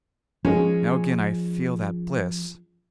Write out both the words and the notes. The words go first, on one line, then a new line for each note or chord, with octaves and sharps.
Now again I feel that bliss.
F3 G#3 C#4